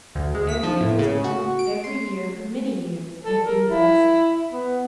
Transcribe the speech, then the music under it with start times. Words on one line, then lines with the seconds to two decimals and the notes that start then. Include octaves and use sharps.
Every mealtime, every year, for many years, it had been thus.
0.15 D2
0.35 G#3
0.49 B6
0.63 F3
0.81 A2
0.99 C#3
1.24 F#4
1.59 D7
1.84 C6
3.25 A4
3.42 A#4
3.68 E4
4.51 B3